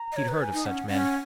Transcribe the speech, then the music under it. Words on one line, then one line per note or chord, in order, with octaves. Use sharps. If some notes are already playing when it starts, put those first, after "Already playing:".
He'd heard of such men.
Already playing: A#5
D#5
C#5
B4
G#5
D#4
C#4 F#5
C#4 F#5